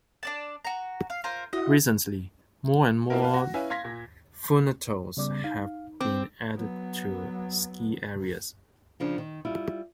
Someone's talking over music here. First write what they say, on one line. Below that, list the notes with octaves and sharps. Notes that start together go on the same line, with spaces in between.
Recently, more and more funitels have been added to ski areas.
D4 D5 A5
F#4 A#5
F5
F4 A#4 C5
E4 F#4 D#5
A#3 C4 E4 F4 A#4
B4 F5
F#4 A#6
C#4 E4 B4 F5 G#5
F5 C6 G#6 A#6 B6
A#2
C#3 G3 B3 G#4 D5 D6
D#4 F5
C4 D6
F#3 B3
C#3 F3 D4
D#3
G3 E4 F4